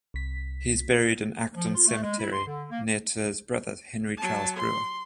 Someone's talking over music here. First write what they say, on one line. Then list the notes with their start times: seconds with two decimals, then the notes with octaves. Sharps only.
He is buried in Acton Cemetery near to his brother Henry Charles Brewer.
0.14 C2 B6
1.56 F3
1.75 F4
1.88 A3
2.02 G#3
2.19 E4
2.32 C6
2.47 D3
2.69 A#3
4.17 F#3 A5
4.56 C6